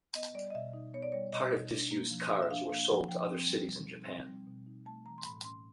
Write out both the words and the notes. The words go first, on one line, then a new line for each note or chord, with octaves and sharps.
Part of disused cars were sold to other cities in Japan.
B3 D#5
G3 D5
D#5
B2 E5
D#4
B3 C#5
D5
G3 C#5
B2 D#5
D#4
D4
A#3
F3
F3
E5
D4 F5
A#3 F5
F3 F#5
F3 G5
C4
G3
B2
D#4
C4
G3
B2
D#4
A3 A5
E3 A#5
C6
A2 B5
C#4 C6